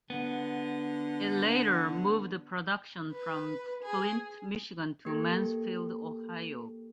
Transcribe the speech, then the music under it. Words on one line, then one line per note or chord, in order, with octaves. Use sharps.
It later moved production from Flint, Michigan to Mansfield, Ohio.
D3 B3
B4
G#4
A#3 G4 A4